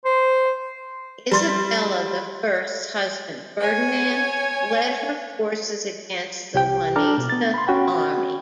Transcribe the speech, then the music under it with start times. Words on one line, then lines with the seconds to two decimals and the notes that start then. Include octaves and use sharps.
Isabella the First's husband Ferdinand led her forces against the Juanista army.
0.05 C5
1.31 G3 C6 A6
3.60 C#5 G#5
6.54 C2 G4 G5
6.96 D4 A4 A5 A#5 D6 F6
7.17 B2
7.30 B3 A6
7.54 B5 C6
7.67 C#4 F#4 G5 B5